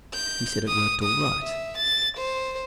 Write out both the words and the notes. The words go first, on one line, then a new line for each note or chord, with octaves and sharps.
He said it worked all right.
G6
D#6
D#6
E5
A6
C5